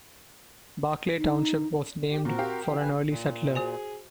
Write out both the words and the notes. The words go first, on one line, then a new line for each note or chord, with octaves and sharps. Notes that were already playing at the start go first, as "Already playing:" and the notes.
Barclay Township was named for an early settler.
D#4
G4
A#2 C4 F#4 A#4
G4 F5
C#3 E3
F3 B4 G#5
A#2
F#4 G#4 C5 G#5